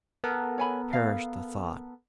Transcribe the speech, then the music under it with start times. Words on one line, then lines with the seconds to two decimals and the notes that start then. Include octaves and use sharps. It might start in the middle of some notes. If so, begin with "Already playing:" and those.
Perish the thought!
0.24 B3 A4 A#4
0.58 C#5 G#5 B5
0.93 F5